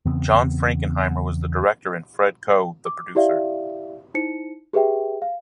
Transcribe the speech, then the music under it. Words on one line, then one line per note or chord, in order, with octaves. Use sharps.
John Frankenheimer was the director and Fred Coe the producer.
E2 C#3 B3 C4
D6
E4 G4 D5 E5 F5
D#4 E4 C5 C#7
G4 G#4 B4 E5 G5
F5